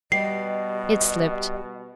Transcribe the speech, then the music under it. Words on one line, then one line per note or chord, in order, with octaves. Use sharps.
'It slipped.
B2 G3 B3 G4 D#5 C7